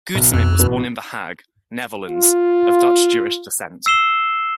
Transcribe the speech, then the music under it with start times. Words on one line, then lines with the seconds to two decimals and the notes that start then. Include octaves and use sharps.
Goudsmit was born in The Hague, Netherlands, of Dutch Jewish descent.
0.15 B1
0.34 F2
0.59 A1 B2
2.08 F4
3.86 E6 C7 E7 G7